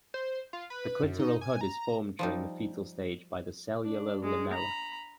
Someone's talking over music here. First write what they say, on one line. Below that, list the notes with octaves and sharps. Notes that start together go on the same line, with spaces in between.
The clitoral hood is formed during the fetal stage by the cellular lamella.
C5
F4
B4
F#2
D#4
G#5
A#5
F3 G3 D#4
D4
G#3
A#5 B5